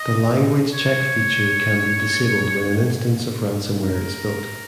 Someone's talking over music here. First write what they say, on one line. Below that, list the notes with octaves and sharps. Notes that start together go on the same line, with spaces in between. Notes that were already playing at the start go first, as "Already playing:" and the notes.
The language check feature can be disabled when an instance of ransomware is built.
Already playing: D#5
C#5
A#4